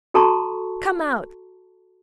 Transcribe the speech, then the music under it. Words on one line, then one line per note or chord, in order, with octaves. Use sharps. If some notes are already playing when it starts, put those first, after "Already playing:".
Come out!
F#4 A4 A5 A#5 C6 C#6